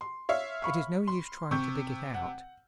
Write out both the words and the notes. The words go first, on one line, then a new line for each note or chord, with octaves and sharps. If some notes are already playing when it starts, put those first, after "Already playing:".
It is no use trying to dig it out.
C6
C#5 E5 F5
B5 C#6 F6
C6
C3 C#6 G6
F#5